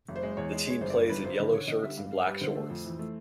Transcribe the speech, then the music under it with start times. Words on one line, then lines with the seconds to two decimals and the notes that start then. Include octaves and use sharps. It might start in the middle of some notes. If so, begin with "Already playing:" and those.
The team plays in yellow shirts and black shorts.
0.09 F#1
0.16 C5
0.23 G#3
0.37 E2 C#5
0.52 G#3
0.66 G#3 C#5
0.81 G1 C5
0.90 D5
0.95 G2 C#5
1.09 G1 B4
1.24 G2 C5
1.39 D3 B4
1.54 D3 C#5
1.68 D3 D#5
1.83 G3 E5
1.97 G2 F5
2.12 G2 F5
2.26 G3 B4
2.41 D3 C5
2.55 A3
2.70 F2
2.85 E3
2.99 A3